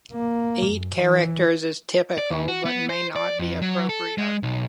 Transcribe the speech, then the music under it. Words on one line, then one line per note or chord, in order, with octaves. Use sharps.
Eight characters is typical but may not be appropriate.
A#3
F#2
E3
D5
D#2
F#4
B3
C5
D5
F2
F#3
A4
G#3
B1